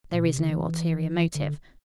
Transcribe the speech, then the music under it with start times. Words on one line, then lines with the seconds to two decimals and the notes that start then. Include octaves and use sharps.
There is no ulterior motive.
0.13 A#2
0.26 C3
0.38 D3
0.50 E3
1.35 D3